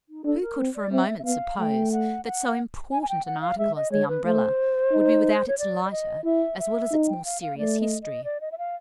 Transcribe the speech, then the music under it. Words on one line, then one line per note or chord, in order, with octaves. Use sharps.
Who could for a moment suppose that so important an article as the Umbrella would be without its lighter as well as its more serious history?
D#4
D4 A4
A#4
C4
D5
C4 E5
E5
B3 F5
A3 G5
F#5
F#5
G#5
G#5
G5
F#5
F5
G#3 E5
D#5
G#3 C#5
B4
A3 C5
D#4
C#5
D5
D5
D#5
E4 E5
E5
D#4
G5
F5
F5
A3 D5
D#5
D#5
D5
D#5
E5
F5